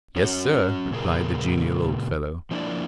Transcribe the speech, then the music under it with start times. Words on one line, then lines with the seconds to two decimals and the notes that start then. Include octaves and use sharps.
"Yes, sir," replied the genial old fellow.
0.16 C#4 F#4 C#5
0.91 A#2 C#3 G#4 A#4
2.51 F3 A#3 D4 E4 D5